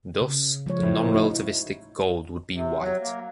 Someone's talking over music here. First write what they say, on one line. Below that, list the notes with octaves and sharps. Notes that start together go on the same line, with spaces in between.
Thus, the non-relativistic gold would be white.
C#3
F3 G#3 C#5
A2
D#4 E4 F#4
C3
F#3
A#3